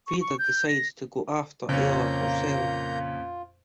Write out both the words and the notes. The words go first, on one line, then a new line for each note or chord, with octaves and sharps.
Frieda decides to go after Ella herself.
C#6
C#6
G6
A#6
F2 A#2 C#3 A#3 C#4 F4 A#5 G6